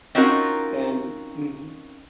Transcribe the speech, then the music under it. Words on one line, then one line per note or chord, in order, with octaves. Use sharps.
And mhm.
C4 C#4 D#4 F4 F#4 A#4